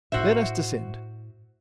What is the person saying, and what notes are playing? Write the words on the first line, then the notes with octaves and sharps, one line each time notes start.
Let us descend.
A2 E4 F#4 C5 E5